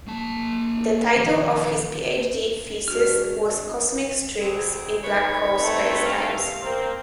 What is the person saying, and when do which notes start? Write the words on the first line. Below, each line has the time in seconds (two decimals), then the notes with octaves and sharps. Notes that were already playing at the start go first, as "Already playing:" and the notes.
The title of his PhD thesis was "Cosmic strings in black hole spacetimes".
0.07 A#3 A5
1.17 D#3 F3
2.88 C3 G#3 D4 F#4 F6
4.40 D2 C4 G#4
5.03 D#3 B4 C#5
5.58 A3 C4
6.05 G2 B3 F5
6.60 A#3 C4